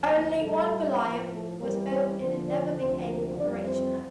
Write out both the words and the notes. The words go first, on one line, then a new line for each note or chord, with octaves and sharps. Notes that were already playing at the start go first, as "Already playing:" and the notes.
Only one Goliath was built and it never became operational.
Already playing: D2 D3 F3
A#3 A#4
A2 G3 A3 A4
A2 F3
A3 A4
E2 E3 G3 A#3 A#4
C4 C5
E2 D3 F3 C4 C5
D4 D5
D2 C3 F3 C4 C5
A#3 A#4
F2 E3 G3 D4 D5
C4 C5